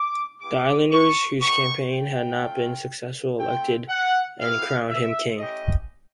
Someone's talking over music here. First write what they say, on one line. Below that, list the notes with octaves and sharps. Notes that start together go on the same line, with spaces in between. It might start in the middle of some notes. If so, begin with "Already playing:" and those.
The islanders, whose campaign had not been successful, elected and crowned him king.
Already playing: D6
B3 E4 G4 D6
C#6
B3 D#4 G4 C#6
G5
A3 C#4 F4
A3 C4 F4 G5
F#5
B3 E4 G4 F5
E5
A3 C#4 E4 G4 D#5